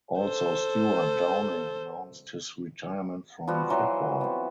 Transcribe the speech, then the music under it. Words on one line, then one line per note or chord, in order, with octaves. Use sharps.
Also Stewart Downing announced his retirement from football.
A4 C5
F3 G3 B3 F#4
E3 F#3 C6
B3 C4